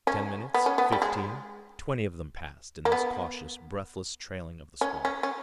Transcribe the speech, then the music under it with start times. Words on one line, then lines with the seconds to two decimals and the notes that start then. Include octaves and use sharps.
Ten minutes, fifteen--twenty of them passed in this cautious, breathless trailing of the swamp.
0.07 C#4
0.54 B3
0.66 C#4
0.78 B3
0.92 G3
1.02 G#3
2.85 A#3
2.92 B3
4.81 C#4
5.05 C#4
5.23 C#4